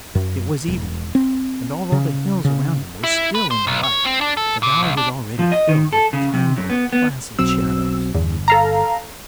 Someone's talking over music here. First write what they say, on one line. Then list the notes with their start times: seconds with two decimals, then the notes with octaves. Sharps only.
It was evening, and although the hills around him were still in the light the valley was already filled with kindly, placid shadows.
0.15 F#2
0.68 E1
1.15 C4
1.92 C#3
2.45 C#3
3.04 E4
3.35 B4
3.51 C5
3.67 B1
3.84 C#5
4.04 C4
4.21 D4
4.37 A4
4.63 A#2
4.83 C2
4.97 D4
5.39 F3
5.52 D#5
5.69 D#3
5.93 A4
6.13 C#3
6.34 C3
6.57 F#2
6.70 B3
6.93 B3
7.39 B1 F#3 C4 E6
8.15 G1 E2
8.48 A4 F5 A#5